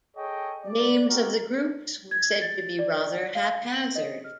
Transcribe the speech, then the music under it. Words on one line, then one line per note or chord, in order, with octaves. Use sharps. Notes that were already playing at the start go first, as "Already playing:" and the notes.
Names of the groups were said to be rather haphazard.
G#4 A4 C#5 D#5 G5
D5
A#3 C4 F#4 G4 A#4
G#6
A6
D5
F5
F#7
D#5
F6